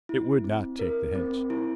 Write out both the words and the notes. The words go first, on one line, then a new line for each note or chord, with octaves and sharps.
It would not take the hint.
E4
C4
A#4
C4
E4